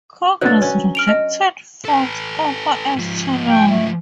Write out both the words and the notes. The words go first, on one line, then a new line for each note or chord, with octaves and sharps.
Congress rejected Ford's offer as too low.
B2 D3 F#3 F#6 A6
C#4
F6 D7 F7
D#5 F6
A4 B4
G#2 F3
G5
A3